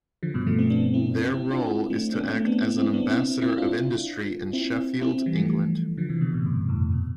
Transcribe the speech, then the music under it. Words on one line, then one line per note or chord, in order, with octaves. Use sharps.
Their role is to act as an ambassador of industry in Sheffield, England.
D3 F3
G2 B2
F3 A3
A3 C4
B3 D4
C4 E4
C4 E4
D4 F4
C4 E4
A3 C4
B3 D4
A3 C4
B3 D4
C4 E4
C4 E4
B3 D4
C4 E4
C4 E4
D4 F4
C4 E4
C4 E4
E3 G3
F3 A3
D3 F3
C3 E3
B2 D3
A2 C3
G2
F2 A2
B2